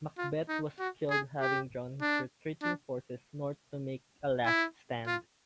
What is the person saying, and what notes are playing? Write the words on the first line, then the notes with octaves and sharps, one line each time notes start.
Macbeth was killed, having drawn his retreating forces north to make a last stand.
F4
D#4
F#4
G#4
G4
D4
D4
E4
F4